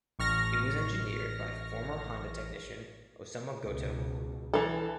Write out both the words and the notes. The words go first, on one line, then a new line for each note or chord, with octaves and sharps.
It was engineered by former Honda technician Osamu Goto.
A1 C#6 F6 A#6
C#2 B2
E3 A4